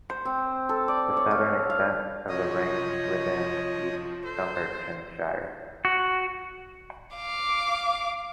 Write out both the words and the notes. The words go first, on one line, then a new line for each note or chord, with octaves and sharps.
The southern extent of the range fall within East Dunbartonshire.
C5
C4
A4
D5
C#5
F5
F5
C3 F3 C#5 D#5 D#6
A4 C5
F#4
F5 D6